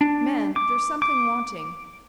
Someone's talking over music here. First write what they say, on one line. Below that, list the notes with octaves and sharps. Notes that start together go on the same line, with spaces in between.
'Man, there's something wanting.
D4
D6
D6